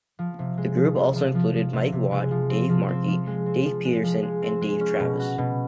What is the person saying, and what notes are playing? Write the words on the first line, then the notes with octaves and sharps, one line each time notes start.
The group also included Mike Watt, Dave Markey, Dave Peterson, and Dave Travis.
F3
C3
G#3
F3
C3
F3
F3
F3
C3
C3
G#3
F3
C4
F3
C4
F3
G#3
C4
F3
G#3
F3
G#3
C4
G#3
C#4
B2
F#4
B2